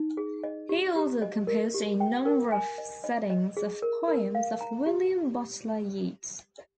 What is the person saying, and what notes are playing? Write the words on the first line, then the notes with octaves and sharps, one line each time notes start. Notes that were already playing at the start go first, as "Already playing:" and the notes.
He also composed a number of settings of poems of William Butler Yeats.
Already playing: D#4
G#4
D#5
G4
G4
D#5
A#4
G4
G5
A#4
G#5
D#5
D#5
D#5
G#4
A#4
A#4
F5
A#5
G4